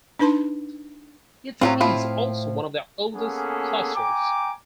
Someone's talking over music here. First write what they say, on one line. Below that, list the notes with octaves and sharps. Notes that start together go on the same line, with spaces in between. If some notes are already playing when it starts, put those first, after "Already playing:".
It is also one of the oldest clusters.
D4 D#4 B4 A5 C6
A2 F#3 C4 C#4 F4
F3 E4 F4
A#3 B3 C#4 G#4 A4
G5 G#5 A#5 D6